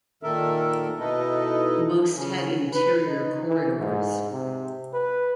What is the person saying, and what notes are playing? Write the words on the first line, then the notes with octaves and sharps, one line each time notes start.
Most had interior corridors.
A#2 D#3 A4 A#4 E5
B2 D#4 E4 A4 B4 D#5
C#3 C#4
B4
D#4
E3
G#2
C3
B4